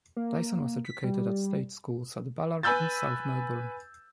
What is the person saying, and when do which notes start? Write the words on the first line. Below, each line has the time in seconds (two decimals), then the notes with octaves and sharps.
Dyson was educated at state schools at Ballarat and South Melbourne.
0.17 A#3
0.85 B6
1.04 G3
2.63 B4 G#5 B5 E6 G6 A6